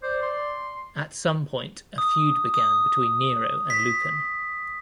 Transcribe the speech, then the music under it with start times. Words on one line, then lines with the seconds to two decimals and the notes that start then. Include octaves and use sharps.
At some point, a feud began between Nero and Lucan.
0.03 C5 D5
0.22 C6
1.98 D#6
2.54 D#6
3.70 B6